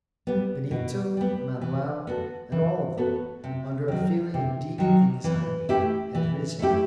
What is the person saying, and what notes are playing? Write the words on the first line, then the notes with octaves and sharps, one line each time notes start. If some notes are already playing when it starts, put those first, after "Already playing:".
Benito, Manoel, and all of them, under a feeling of deep anxiety, had risen.
G3 B3
B2
G3 B3
E3
B3 F#4 A4
E3
B3 F#4 A4
C3
D#3 F#3
C3
D#3 F#3
E3
A3 E4 G4
E3
A3 E4 G4